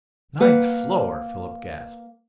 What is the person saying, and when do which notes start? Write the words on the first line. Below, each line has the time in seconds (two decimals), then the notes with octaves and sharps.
"Ninth floor!" Philip gasped.
0.40 A#3 B4 F#5